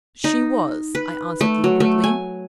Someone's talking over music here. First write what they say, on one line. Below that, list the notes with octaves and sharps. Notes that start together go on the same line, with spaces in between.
'She was,' I answered, deliberately.
D#4
B4
A3
F#3
A3
G#5